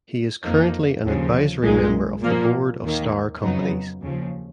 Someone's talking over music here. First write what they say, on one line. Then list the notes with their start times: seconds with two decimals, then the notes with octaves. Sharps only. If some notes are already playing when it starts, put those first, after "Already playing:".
He is currently an advisory member of the board of Starr Companies.
0.44 F2 F3 A#3 D#4
1.03 D#2 C#3 F3
1.63 B1 A#2 G#3
2.22 A#2 F3 A#3
2.82 D#2 D#3 A#3
3.42 F2 C#3 F#3 B3 D#4
4.02 D#2 C#3 F3